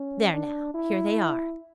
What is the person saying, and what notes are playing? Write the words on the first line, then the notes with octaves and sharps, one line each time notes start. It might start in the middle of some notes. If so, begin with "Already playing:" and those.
There now, here they are.
Already playing: C#4
D4
E4